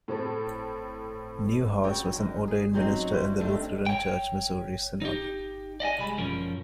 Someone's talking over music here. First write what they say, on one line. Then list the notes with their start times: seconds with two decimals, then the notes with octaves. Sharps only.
Neuhaus was an ordained minister in the Lutheran Church-Missouri Synod.
0.08 A2 C4 A4
1.83 D2 C#3 F#4 C#5 G5
2.12 F#2 D#3
2.48 G#4
2.73 C3 F#3 C4 C#4 D#4
3.12 G3 E4 F#4 C5
3.39 C3 D#3 G3 A3 D4 A4
3.86 C#5 G5
5.02 D#4 G4
5.80 D5 D#5 G5 G#5
5.98 C2 G3 G#3 B5
6.17 B1 F#2 F3 C#4 A#4